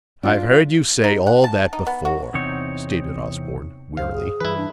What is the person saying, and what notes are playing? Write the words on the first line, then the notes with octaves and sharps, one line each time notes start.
"I've heard you say all that before," stated Osborne, wearily.
D4 F4
D#4
F#5
A5
D#4
B3
F#4
E2 C3 C4 D#4 C#5
C#2 F#2 C5 F5
G#4
G2 E3 E4 B4
D4